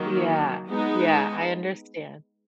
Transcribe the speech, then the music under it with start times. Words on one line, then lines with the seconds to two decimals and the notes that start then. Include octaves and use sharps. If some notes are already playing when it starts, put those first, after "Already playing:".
Yeah, yeah, I understand.
Already playing: D#3 F#3 A#3
0.69 G#3 B3 D#4